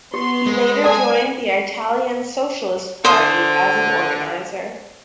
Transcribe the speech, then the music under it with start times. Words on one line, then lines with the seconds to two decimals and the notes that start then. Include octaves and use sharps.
He later joined the Italian Socialist Party as an organizer.
0.14 B3 G4 C6
0.46 G#3
0.84 A4 D5 G#5 A5
3.05 D3 C5 D#6